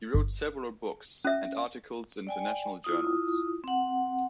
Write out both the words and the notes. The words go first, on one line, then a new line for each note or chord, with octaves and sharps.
He wrote several books and articles in international journals.
G1
C#4 E5
D5 G5 G#5
E4 F4 D#6
C4 F#5